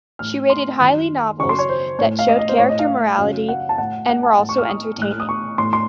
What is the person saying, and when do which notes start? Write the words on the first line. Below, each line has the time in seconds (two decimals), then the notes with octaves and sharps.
She rated highly novels that showed character morality and were also entertaining.
0.19 A2 F6
0.50 C6
0.80 F#2 D#3
1.39 C#3 C#6
1.44 F#2
1.49 C6
1.59 C#5
1.69 C5
1.99 A2 C#5
2.19 F5
2.29 D#5
2.39 D#5
2.49 C5
2.58 A2 C#5
2.69 D#5
2.79 F5
3.18 F#2
3.23 C#3
3.49 F#5
3.69 A5
3.78 A2 F#5
4.09 F#5
4.23 A5
4.39 A2
4.49 C#6
4.58 F6
4.69 D#6
4.98 A2 F#6
5.11 F6
5.20 D#6
5.29 C#6
5.58 A2 C6
5.73 C6